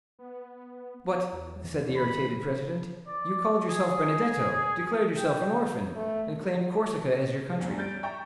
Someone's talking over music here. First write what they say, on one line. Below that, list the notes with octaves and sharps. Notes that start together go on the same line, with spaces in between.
"But," said the irritated president, "you called yourself Benedetto, declared yourself an orphan, and claimed Corsica as your country."
B3
E2
E3
B5
D5
G#4
G5
A3
F#3
E2 G2
G3 C#4 G6 A6 D7
E5 G5 A#5 C#6 G6